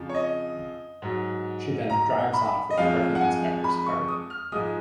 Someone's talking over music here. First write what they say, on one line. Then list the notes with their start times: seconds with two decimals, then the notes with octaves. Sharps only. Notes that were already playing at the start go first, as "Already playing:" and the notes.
She then drives off with a parking inspector's cart.
Already playing: F2 C#3 F3
0.09 C#5
0.14 D#5
1.02 G#2 F#3
1.90 A#5
2.34 B5
2.70 D#5
2.77 F2 F3 G#3 F5
3.15 F#5
3.21 G#5
3.64 B5
3.86 C#6
4.08 D#6
4.30 F6
4.52 G#2 F3 G#3 D#6